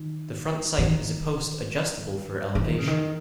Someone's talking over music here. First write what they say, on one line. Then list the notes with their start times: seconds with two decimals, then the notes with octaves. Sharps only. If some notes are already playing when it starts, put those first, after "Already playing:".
The front sight is a post adjustable for elevation.
Already playing: D#3
0.78 E3
0.85 D#3
2.55 E3
2.64 D#3
2.78 C#3
2.88 D#3